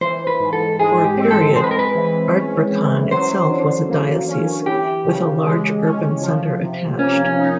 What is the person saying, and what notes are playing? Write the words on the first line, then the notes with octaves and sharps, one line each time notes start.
For a period, Ardbraccan itself was a diocese, with a large urban centre attached.
E3 C5
B4
G#2
A4
G#3 G#4
G4
C4
A4
G#3 C5
B4
A#4
B4
E3
C#4
E3
F#3 C5
D3
A#3
C#4
E3 G4
C#3
G#3
C#4
F3
C3
A#3 C#4
C#4
D#4